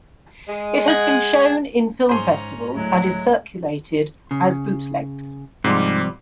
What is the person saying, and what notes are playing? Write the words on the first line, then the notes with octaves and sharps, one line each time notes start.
It has been shown in film-festivals and is circulated as Bootlegs.
G#3
G#4 F#5
G#2 C#4 G#4 C5 A#5 C6
D2 A2 F#3 G#3
C#3
G#2 C3 F3 G3